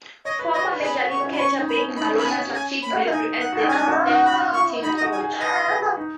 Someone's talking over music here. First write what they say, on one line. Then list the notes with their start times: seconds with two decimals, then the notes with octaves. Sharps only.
Former major league catcher Bengie Molina succeeded Mabry as the assistant hitting coach.
0.25 C#5 D#5
0.39 B4
0.53 C#5 D#5
0.68 B4
0.82 G#4 B5
1.02 F#4
1.10 C#6
1.20 C#4
1.33 B5
1.39 C#4 C#6
1.59 D#4
1.68 B5
1.77 C#4
1.96 D#4 B5
2.10 C#4
2.18 B5
2.25 G#5
2.38 C#4
2.54 G#5
2.82 B5
3.11 D#4 G#5
3.40 F#5
3.53 F#4
3.60 D#4
3.68 C#4 G#5
3.78 D#4
3.88 F#4
4.07 D#4
4.26 B5
4.53 C#6
4.83 D#4 B5
4.97 D#5
5.02 F#4
5.12 G#5
5.21 G#4
5.40 B4 D#5
5.68 B4
5.97 D#4